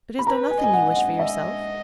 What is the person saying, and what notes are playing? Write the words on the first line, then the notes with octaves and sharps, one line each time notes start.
But is there nothing you wish for yourself?'
B5
B4 A#5
G#5
D#5
G#5
F#5
D#5
F#5
D#5 E5